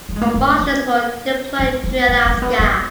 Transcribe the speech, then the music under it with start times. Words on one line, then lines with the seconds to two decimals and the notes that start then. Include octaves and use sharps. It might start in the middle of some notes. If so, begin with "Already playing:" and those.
Marshals were deployed to Alaska.
0.09 B3
0.16 G#3
0.22 A#3
0.34 B3
0.46 A#3
0.59 A#3
1.59 B3
1.84 A#3
2.08 B3
2.25 C#4
2.34 A#3
2.42 B3
2.59 B3